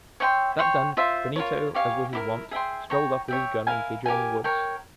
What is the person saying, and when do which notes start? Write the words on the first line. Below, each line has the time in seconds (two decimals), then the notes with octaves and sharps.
That done, Benito, as was his wont, strolled off with his gun into the adjoining woods.
0.20 C#5 E5 G5 C6
0.59 C#5 G5 C6
0.97 F4 C5 E5
1.36 F4 A#4 C#5
1.74 G4 C#5 F5 G#5
2.13 E4 G4 A#4
2.51 G#4 E5 G5 C6
2.90 C#5 G5 A#5
3.28 C#5 E5 G5
3.67 E4 A#4 F5 G#5
4.06 G4 A#4 F5 G#5
4.44 A#4 C#5 G5